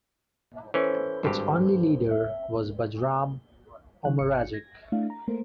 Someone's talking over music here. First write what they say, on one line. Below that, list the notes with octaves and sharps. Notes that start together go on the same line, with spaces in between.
Its only leader was Bajram Omeragić.
E3 C#4 A4 B4 C5
G#1 G2 G4
E5
D#3 F#3 F#6
G#1 C#7
G#6 A#6
A3 D4 E4 F5
A#5
A3 A#3 A#4 C5